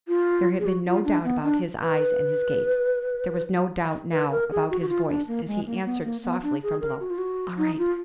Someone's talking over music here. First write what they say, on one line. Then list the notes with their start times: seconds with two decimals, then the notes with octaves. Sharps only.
There had been no doubt about his eyes and his gait; there was no doubt now about his voice, as he answered softly from below--"All right!"
0.08 F4
0.60 G#4
0.66 F#4
0.85 F4
1.05 D4
1.24 B3
1.43 D4
1.82 B4
4.12 B4
4.31 A#4
4.51 G#4
4.70 F#4
4.81 F#4
4.89 F4
5.09 D4
5.28 A#3
5.47 G#3
5.66 A#3
5.85 B3
6.04 A#3
6.23 B3
6.43 D4
6.63 G#4
6.81 A#4
7.00 F#4
7.10 F4
7.18 F#4
7.58 D#4
7.78 F4